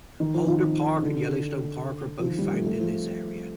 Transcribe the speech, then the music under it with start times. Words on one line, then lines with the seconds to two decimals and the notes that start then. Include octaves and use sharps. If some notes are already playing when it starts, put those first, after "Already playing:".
Holder Park and Yellowstone Park are both found in this area.
0.20 D#3
0.34 F3
0.47 D#3
1.03 D3
2.19 F3
2.26 D#3
2.38 G3
2.53 A3
2.66 A3
2.80 F3